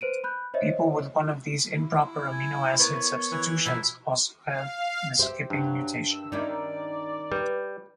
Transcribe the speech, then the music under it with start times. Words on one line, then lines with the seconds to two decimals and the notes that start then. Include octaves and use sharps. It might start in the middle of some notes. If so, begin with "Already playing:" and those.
People with one of these improper amino acid substitutions also have the skipping mutation.
0.01 B4 C5 D7 D#7
0.24 B5 F#6 G6
0.54 C5 C#5 D#5 E5
1.77 E4
2.32 G#5
2.79 B3 A#4 C#5
3.32 E3
3.65 B2 F3 F#3 E4
4.47 F5
5.19 G4 C5 E5
5.50 G2 F#3
6.11 D#3 E6
6.32 D#3 C#4 D#4 E4 D5
7.32 G3 B4